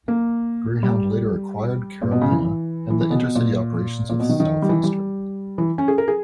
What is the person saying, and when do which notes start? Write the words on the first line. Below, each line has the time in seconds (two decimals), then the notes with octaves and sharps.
Greyhound later acquired Carolina and the intercity operations of Southeastern.
0.08 A#3
0.83 G3
2.02 A#2
2.11 B2
2.21 C#3
2.31 E3
2.90 E3
3.01 E3
3.10 B2
3.20 B2
3.35 A#2
4.09 A#2
4.20 B2
4.29 D#3
4.40 D#3
4.62 G3
4.69 E3
4.83 G3
5.58 E3
5.78 C#4
5.88 G#4
5.98 A#4
6.08 G#4